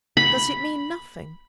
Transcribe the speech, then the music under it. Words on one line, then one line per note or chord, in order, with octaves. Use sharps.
"Does it mean nothing."
B5